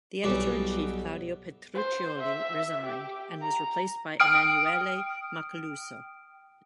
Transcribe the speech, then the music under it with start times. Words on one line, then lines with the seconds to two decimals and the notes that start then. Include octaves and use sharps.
The editor-in-chief Claudio Petruccioli resigned and was replaced by Emanuele Macaluso.
0.23 B1 B2 E3 G3 D5 C#6
1.75 C5
2.20 E5
2.86 G4
3.42 A#5
4.20 G5 D#6 F6 D7